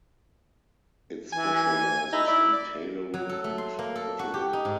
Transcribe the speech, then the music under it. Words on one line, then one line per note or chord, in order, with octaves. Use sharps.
It specialises in tailoring and pottery.
E3 G#5
D#4 E4
E4 D5
D5
F#3
A4
A3
C6
A#3
A4
F#4
G4
D#4
G#2